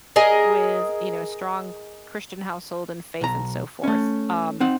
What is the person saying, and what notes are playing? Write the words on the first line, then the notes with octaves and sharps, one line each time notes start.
with, you know, a strong Christian household and faith and so forth, um,
G#4 A#4 D#5 G#5
B1 A#5
A3 C#4
C4 D#4 F#5